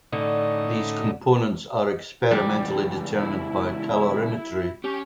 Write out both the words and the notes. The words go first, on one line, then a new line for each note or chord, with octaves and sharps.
These components are experimentally determined by calorimetry.
A2 D3 C#4 D#4
C#2 E3 G3
E4
C#4 G4 C#6